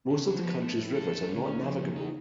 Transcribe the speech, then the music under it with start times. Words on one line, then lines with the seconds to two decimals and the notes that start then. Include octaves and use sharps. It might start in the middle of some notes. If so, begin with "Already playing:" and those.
Most of the country's rivers are not navigable.
0.10 C#3
0.26 F3 F#3
0.43 B3
0.61 A3
0.77 E4
0.95 A4
1.11 A3
1.29 D3 C#4
1.45 C#4
1.62 C#3 F3
1.79 A#3
1.96 D#4